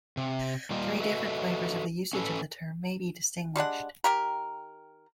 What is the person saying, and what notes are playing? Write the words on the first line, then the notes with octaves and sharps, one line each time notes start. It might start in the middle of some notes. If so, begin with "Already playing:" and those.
Three different flavors of the usage of the term may be distinguished.
C3
G3 A#3 F4 G4 D#5
F#4 A4 B4 D#5 E5
C#4 A4 B4
G3 G#3 D4 F#5
D#3 G4 A#4